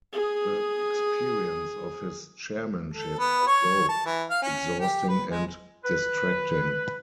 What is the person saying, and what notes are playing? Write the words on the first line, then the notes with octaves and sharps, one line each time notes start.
The experience of his chairmanship was both exhausting and distracting.
G#4 D#6
A4
B3
C#5
A5
E3
F5
C#4
G4
B4
G#3
B4